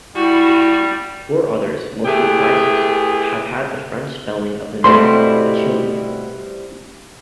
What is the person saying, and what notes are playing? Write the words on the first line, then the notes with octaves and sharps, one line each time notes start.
Four others, mostly prizes, have had the French spelling of the name, "Achille".
G3 E4 F#4
A3 B3 E4 G4 G#4
B2 G3 A3 C4 E4 C6